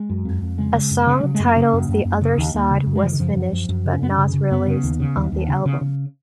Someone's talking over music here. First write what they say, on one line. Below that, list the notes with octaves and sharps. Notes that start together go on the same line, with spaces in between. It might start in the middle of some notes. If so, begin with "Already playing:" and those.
A song titled "The Other Side" was finished but not released on the album.
Already playing: G#3
F#2
F2
F2
C#3 G#3
C#3
F#2
C#3
G#3
C#3 F#3
F#2 G#3
A#3
C#3 A#3
F#2
F#2
F#2
C#3
D#2
D#2 A#3
C#3
F#2
G#3
C#3 F3
D#3
F#2 F3
F#2
F#2
F#2
C#3
C#4
F#2 B3
C#4
C#3
C#3
F#2 B3
C#3
D#2
C#3
D#2
D#2
C#3
C#3
C#3